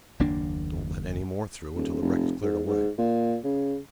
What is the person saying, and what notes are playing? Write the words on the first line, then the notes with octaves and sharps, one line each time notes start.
Don't let any more through until the wreck is cleared away.
F#1 D#2 A#3 D4
D#1
F1
G#2
G#2
A#2
C#3